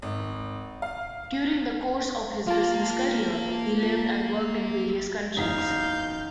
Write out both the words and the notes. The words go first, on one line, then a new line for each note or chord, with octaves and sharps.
During the course of his business career he lived and worked in various countries.
G#1
F5
A#3 F4 A5
F#1 E2 D#4 F5 G6